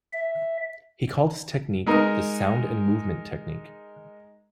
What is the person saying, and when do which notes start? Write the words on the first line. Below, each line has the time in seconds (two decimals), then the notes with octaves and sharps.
He called his technique the "sound and movement" technique.
0.13 E5
1.86 G#3 D#4 A#4